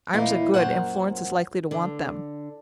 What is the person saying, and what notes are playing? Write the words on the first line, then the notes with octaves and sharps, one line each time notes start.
Arms are good, and Florence is likely to want them.
E2 A#2 D#4 E4 F5
F#2 A#2 F#3 C5 C#5 F#5
D3